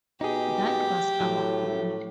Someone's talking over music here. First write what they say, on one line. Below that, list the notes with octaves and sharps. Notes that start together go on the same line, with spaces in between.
That was our goal.
B2 D#4 G4 G#4
A2 F#3